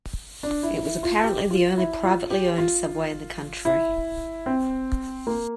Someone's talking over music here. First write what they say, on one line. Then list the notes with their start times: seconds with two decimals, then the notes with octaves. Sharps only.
It was apparently the only privately owned subway in the country.
0.43 D4
0.63 E4
0.83 E4
1.03 F4
1.24 G4
1.51 F4
1.78 E4
2.04 F4
2.30 G4
2.58 F4
3.65 E4
4.46 C4
5.27 A#3